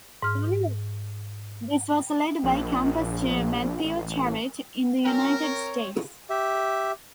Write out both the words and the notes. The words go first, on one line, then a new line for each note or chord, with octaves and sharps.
This was led by campus chair Matthieu Charette in the United States.
G#2 F6
A#1
A1
F#3 C4 C#4 A#4
C#5
G4 E5